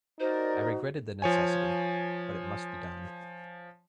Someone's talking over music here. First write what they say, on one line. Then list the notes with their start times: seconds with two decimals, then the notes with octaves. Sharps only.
I regretted the necessity, but it must be done.
0.20 D#4 F#4 A#4 C5 D5
1.22 F3 C#5 G#5